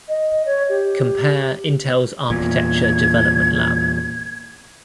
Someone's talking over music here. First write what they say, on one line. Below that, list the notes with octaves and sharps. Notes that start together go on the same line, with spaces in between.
Compare Intel's Architecture Development Lab.
D#5
C#5
G4
E2 A#2 G#6